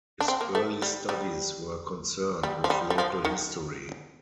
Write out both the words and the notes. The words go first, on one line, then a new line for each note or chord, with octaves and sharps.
His early studies were concerned with local history.
D4
C4
A#3
A3
G3
G3
G3
F3
G3
G3
F3
D#3